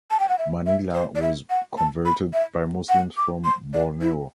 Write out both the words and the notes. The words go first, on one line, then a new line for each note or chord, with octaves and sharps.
Manila was converted by Muslims from Borneo.
A5
G5
F#5
E5
E5
C5
D5
E5
F#5
A5
B5
E5
F#5
D6
C6
D5
E4